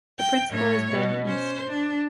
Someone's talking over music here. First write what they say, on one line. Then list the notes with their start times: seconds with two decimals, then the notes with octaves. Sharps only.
The principal is Ben East.
0.19 G5
0.49 A2 C#5
0.92 B2
1.25 C#4 C5
1.68 D4